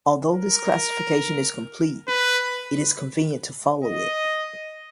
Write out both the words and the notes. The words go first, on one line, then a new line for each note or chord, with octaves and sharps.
Although this classification is complete, it is convenient to follow it.
A#4
B4
D#5